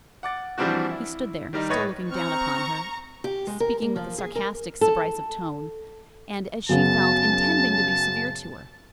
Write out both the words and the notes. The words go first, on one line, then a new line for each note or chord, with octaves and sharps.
He stood there, still looking down upon her, speaking with a sarcastic subrisive tone, and, as she felt, intending to be severe to her.
F#5 D6 A6
E3 F3 G3 C4 D4 F#4
E4
D#3 G3 D#4
A2 B4 C#5 D#5 A6
C4 A#5 C#6 F6
G4
G#3
A#4
A#3
F3
G#4
A#4
A4
F#2 C#3 B3 A5